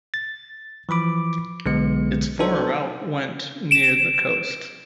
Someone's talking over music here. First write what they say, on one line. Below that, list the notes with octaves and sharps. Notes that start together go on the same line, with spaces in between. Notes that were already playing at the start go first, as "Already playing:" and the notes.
Its former route went near the coast.
A6
E3 F3 B5 D6
B1 D3 G#3 B3 C#7
D4 D#4 F#4 A4 C5
D7 E7